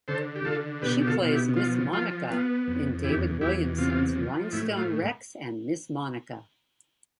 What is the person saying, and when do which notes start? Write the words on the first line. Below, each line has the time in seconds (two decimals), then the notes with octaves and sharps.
She plays "Miss Monica" in David Williamson's "Rhinestone Rex and Miss Monica".
0.08 D3 A4 C5
0.36 G4
0.45 D3 F4 A4
0.82 B2 G4 B4
1.01 G4
1.07 F4 A4
1.19 B2 F4
1.32 E4 G4
1.56 F3 F4
1.93 F3 F4
2.30 B3 F4
2.67 F2
3.04 E2 E4 G4
3.41 E2 E4 G4
3.78 C3 F4
4.15 F3
4.53 A2 E4
4.77 F4